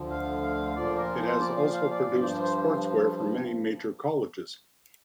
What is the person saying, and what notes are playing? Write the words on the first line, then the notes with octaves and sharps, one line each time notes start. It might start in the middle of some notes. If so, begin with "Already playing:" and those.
It has also produced sportswear for many major colleges.
Already playing: D2 D3 F3
F5
F5
A#2 F3 D5
A#4
C5
D5
F5
F5
D5
G2 F3 D5
C5
C5